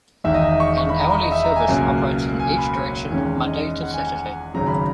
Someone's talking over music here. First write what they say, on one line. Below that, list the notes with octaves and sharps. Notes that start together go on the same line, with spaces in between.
An hourly service operates in each direction Monday-Saturday.
E1 E2 D#3 E5
D#5
E5
C#6
C#6
B5
A#5
B5
D#5
E5
A#5
G#5
C#2 B2 F#3 A#3 C#4
G#5
B5
C#5
E2 D#3 G#3 C#4
D#5
F#5
G#5
F#5
G#1 F#2 C#3 F#3 A#5
B5